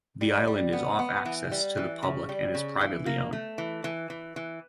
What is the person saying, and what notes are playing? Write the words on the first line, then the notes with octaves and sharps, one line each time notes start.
The island is off access to the public and is privately owned.
G3
G3
B3
B3
E3
G3
E3
C#3
G3
C#3
E3
A#3
A3
E3
E3
E3
E3